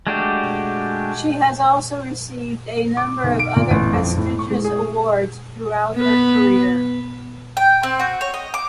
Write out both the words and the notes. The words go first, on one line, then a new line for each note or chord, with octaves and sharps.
She has also received a number of other prestigious awards throughout her career.
G#3 A3 D4 F#4 G4
D6
B1
D7
A#2
A1
F2
A2
C#6
G#3
G#4
B3 B4
G5
C4
F#4
C#5
D#5
D6